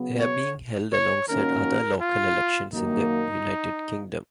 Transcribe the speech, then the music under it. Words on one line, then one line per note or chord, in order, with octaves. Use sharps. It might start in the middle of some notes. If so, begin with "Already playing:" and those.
They are being held alongside other local elections in the United Kingdom.
Already playing: C#3 F#3 B3
C#5
C#5
D#3 A#3 C#4 F#4 A#4
F4
F#2 D#3 A#3 D#4